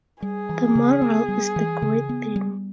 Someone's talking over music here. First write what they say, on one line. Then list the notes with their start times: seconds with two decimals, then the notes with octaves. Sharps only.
The moral is the great thing.
0.22 G3 G#4
0.49 E3
0.75 C#3
1.02 B3
1.28 G3
1.56 E3
1.82 C#3
2.09 B3
2.36 G3